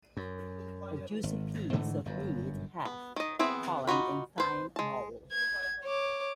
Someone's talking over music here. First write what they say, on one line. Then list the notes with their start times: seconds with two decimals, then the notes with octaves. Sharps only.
A juicy piece of meat hath fallen in thine bowl!
0.17 F#2
1.23 G#1
1.73 G#2 D3 E3 A3
2.06 G1 F#2
2.85 B3
3.16 D#3 D#5
3.39 B3 C4 E4 G#4 E5
3.87 D#4 F4 F#4 B5
4.38 B4 C5
4.76 G#3 A5
5.32 G#6
5.85 C#5 D6